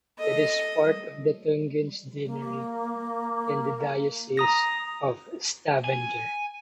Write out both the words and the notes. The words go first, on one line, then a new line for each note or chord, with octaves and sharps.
It is part of the Tungenes deanery in the Diocese of Stavanger.
A4 D#5
A#3
A#5 D#6 A#6
G#5